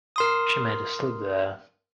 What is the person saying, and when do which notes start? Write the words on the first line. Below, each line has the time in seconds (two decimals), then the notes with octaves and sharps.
She made a slip there.
0.16 A#4 C6 D#6